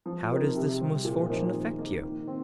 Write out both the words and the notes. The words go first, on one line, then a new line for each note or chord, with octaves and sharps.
How does this misfortune affect you?
F3
C4 D#4 A#4
C3
G3 C4
A#2
F3 A#3 D#4 C5
D#3
A#3 D#4 A#4
D#3
C4